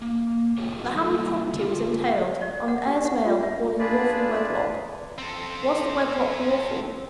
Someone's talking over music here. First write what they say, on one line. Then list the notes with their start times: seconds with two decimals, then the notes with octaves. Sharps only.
The Hamley property was entailed on "heirs male born in lawful wedlock." Was the "wedlock" lawful?
0.02 A#3
0.58 F4 G4 G#4 A#4 C#5
0.78 F#3 A3 E4 F#4 D#5
0.95 G3 A3 A#3 G4 A4
1.53 D3 F4
2.41 D5
2.68 F#5
2.87 G4
3.05 F#5
3.26 F4
3.43 E5
3.79 D4 F4 G#4 B4 D5
5.18 C4 A4